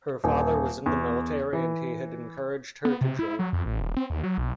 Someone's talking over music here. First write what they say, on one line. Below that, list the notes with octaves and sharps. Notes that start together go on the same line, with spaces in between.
Her father was in the military and he had encouraged her to join.
D#1
E2
E3
B3
C3
E4
F#3
F2
A1
D#1
C4
D#2
F#3
B1